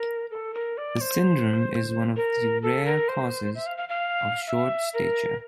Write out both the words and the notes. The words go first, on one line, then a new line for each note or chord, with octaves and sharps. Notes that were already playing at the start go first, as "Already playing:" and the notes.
The syndrome is one of the rare causes of short stature.
Already playing: A#4
A4
A#4
D5
C5
A#4
A4
A#4
C5
E5
F5
F5
F5
E5
A#4